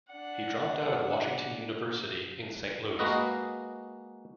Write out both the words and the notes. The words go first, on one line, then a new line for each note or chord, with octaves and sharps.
He dropped out of Washington University in Saint Louis.
D4 F#5
G#3 A#3 F#4 B4 D#5